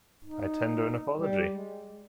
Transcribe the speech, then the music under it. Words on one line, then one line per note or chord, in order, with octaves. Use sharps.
I tender an apology.
D#4
G3
G#3